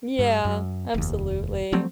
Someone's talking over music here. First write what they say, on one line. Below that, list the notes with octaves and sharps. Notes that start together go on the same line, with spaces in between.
Yeah, absolutely.
G2
F#2
F1 D#2
F3 F#3 A3 C4